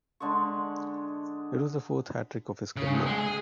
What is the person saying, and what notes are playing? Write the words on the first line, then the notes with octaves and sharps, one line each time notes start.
It was the fourth hat-trick of his career.
D3 G#3 A5 C#6
C#3
D2
G#3
G#4